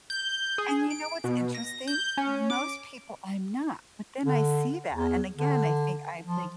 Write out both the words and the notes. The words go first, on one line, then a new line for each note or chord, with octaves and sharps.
And you know what's interesting? Most people I'm not, but then I see that, and, again, I think I think,
G6
G#4
D7
B2
A#6
G6
C#4
D6
D3
E2
D3
F3